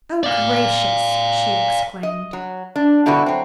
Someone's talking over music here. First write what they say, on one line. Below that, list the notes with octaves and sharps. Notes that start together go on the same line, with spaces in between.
"Oh, gracious!" she exclaimed.
D5 F5
D#5
F#3
D4
G2 B2 D3 E4 F#4
F#3 C4